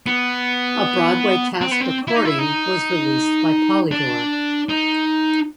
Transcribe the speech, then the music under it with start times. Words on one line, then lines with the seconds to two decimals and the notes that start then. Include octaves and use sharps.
A Broadway cast recording was released by Polydor.
0.06 B3
1.61 C4
1.71 B3
1.80 C4
2.08 E4
2.16 D#4
2.25 E4
2.39 D#4
3.92 D4
4.69 D#4